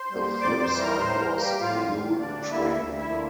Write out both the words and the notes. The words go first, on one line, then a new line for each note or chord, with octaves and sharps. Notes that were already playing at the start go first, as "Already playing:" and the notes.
The flip side was "Mule Train".
Already playing: C5 C6
G3 A#3
F2 D5 D6
C5 C6
E3 G3
A#4 A#5
A2 C5 C6
A#4 A#5
G3 A#3
G4 G5
A2 F4 F5
E3 G3
D2 D4 D5
D3 G3 A#3 E4 E5
D2
E4 E5
D3 F3 A#3